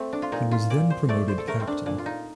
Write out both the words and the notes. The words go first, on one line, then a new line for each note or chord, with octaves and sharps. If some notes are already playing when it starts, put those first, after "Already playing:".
He was then promoted captain.
Already playing: A3 C4
D4
F4
A#2 D#4
F4
A#2 D5
C5
A3 D5
C5
A4
A3 A#4
C4
D4
A#2 D4
F4
D#4